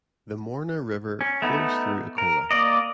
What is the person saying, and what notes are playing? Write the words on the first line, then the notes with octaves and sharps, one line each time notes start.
The Morna River flows through Akola.
C#4
A3 B3 D#4
A#4
A#3 D5 D#5